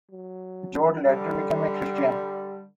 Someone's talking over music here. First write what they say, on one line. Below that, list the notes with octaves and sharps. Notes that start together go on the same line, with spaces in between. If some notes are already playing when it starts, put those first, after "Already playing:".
Joad later became a Christian.
F#3
D3 G3 G4